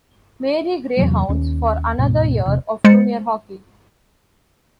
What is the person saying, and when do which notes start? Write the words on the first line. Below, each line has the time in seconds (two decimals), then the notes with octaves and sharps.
Marie Greyhounds for another year of junior hockey.
0.97 E2 C3 F#3 A#3
1.29 D#2 C#4
1.99 D1 G#2 B2
2.46 E1 C3
2.84 G#3 C5 A6 C#7